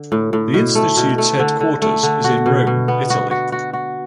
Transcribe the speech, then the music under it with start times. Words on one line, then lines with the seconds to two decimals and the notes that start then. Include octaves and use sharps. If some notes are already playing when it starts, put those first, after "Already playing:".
The Institutes headquarters is in Rome, Italy.
Already playing: D3
0.12 A2
0.33 A2
0.54 B2
0.75 A3
0.97 B2
1.18 A3
1.39 D3
1.60 D3
1.82 A3
2.03 D3
2.24 F#4
2.46 B2
2.67 B2
2.88 B3
3.10 F#4
3.31 F#4
3.52 F#4
3.73 F#4